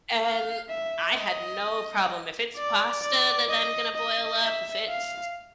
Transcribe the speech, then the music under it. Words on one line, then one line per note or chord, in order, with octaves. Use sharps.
And, I had no problem, if it's pasta that I'm gonna boil up, if it's
F5
E5
D#5
D5
D5
D#5
D#5
E5
F5